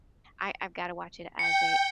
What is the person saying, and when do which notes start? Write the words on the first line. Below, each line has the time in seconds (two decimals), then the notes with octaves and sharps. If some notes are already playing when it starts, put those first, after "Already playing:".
I I've gotta watch it as a
1.39 G5 C#7